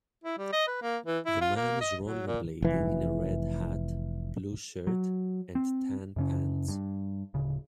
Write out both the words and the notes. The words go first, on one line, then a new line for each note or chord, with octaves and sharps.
The man is rollerblading in a red hat, blue shirt, and tan pants.
E4
G3
D#5
B4
A#3
E3
E4
F4
A#3
D#5
F#3
A#2
F1 E3
F#3
C4
F#2 C#3 C#4
G2
D1 C#3